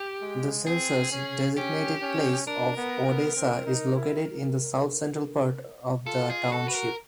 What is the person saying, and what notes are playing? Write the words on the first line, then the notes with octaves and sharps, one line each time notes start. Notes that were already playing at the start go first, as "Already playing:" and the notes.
The census-designated place of Odessa is located in the south-central part of the township.
Already playing: G4
G#3
C4 G#4
C#4
C#4 G4
C#4
D4 A#4
B3
B3
C4
D#4
E4
F4 A4
G#4
F#4 A4
B4
A#4